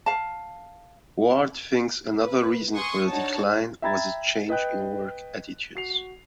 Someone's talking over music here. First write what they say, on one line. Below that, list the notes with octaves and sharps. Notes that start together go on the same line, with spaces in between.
Ward thinks another reason for the decline was a change in work attitudes.
F5 A5
B4
G#5 C6 C#6 D#6
D4 D#4 F#4 C#5 A5
E5 G5 A#5 B5 G#6 A6
B4 D#5 G5 F#6
F#4 C7 F7